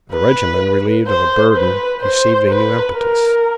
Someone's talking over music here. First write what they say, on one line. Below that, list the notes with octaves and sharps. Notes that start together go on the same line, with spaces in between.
The regiment, relieved of a burden, received a new impetus.
B4
C5
B4
C5
B4
A#4